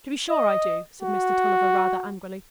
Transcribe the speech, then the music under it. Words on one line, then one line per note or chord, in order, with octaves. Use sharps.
"To be sure I do," said Mr. Tulliver, rather angrily.
D#5
F#4